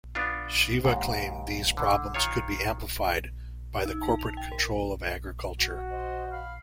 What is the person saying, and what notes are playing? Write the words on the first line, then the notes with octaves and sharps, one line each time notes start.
Shiva claimed these problems could be amplified by the corporate control of agriculture.
B3 D4 F4
D#2 G#2
D3
D#3 F4 C#5
D#4
A5
F7
G5
A#4
F#4
C5 D#5
F5 B5 F6